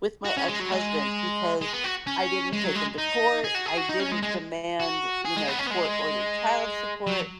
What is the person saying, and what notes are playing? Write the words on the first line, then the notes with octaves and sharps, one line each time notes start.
with my ex-husbands because I didn't take him to court. I didn't demand, you know, court-ordered child support.
F#4
C#4
G#3
F#3
G#3
G#3
B3
F#4
C#4
G#3
F#3
G#3
D#4
G#4
F#4
G#4
F#4
D#4
C#4
G#3
G#3
F#4
G#4
G#3
B3
C#4
B3
G#3
F#3